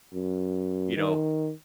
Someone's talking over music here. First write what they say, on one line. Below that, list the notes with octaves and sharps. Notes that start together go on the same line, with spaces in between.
you know
F#2
D#3